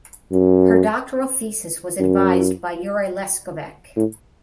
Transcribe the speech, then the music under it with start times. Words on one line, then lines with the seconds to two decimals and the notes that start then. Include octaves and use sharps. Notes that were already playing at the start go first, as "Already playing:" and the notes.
Her doctoral thesis was advised by Jure Leskovec.
0.32 F#2
2.00 F#2
3.96 A2